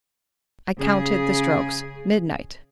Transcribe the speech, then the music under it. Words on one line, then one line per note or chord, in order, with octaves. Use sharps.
I counted the strokes--midnight!
C#3 G#4